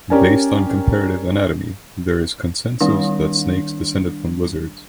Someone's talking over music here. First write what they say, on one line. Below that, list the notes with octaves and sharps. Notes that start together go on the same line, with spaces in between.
Based on comparative anatomy, there is consensus that snakes descended from lizards.
C#4 G4 A#4 D5 G#5
D#3 G3 D4